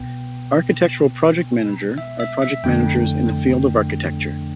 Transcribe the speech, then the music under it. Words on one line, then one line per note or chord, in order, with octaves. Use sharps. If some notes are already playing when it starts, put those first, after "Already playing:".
Architectural project manager are project managers in the field of architecture.
Already playing: C2 B2 B3 G5
E5
E5
E5
F2 D3 A3 D4 G5